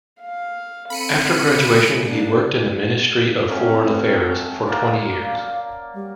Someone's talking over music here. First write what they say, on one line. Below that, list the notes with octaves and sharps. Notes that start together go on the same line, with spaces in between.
After graduation, he worked in the Ministry of Foreign Affairs for twenty years.
F5
C4 A4 B5 C#7 D#7
G#3 A4
A#3 D4
F#3 A3 C4 C#4
A#3 D5
F5
G3